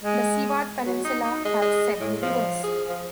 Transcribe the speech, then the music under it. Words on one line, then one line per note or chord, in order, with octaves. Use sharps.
The Seward Peninsula has several rivers.
G#3
F#3
D#4
D#4
G#3
G#3
A2
F3
G#4
F3